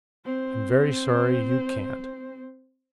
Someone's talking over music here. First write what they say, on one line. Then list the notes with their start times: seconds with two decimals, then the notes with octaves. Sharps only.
"I am very sorry you can't."
0.25 C4 C5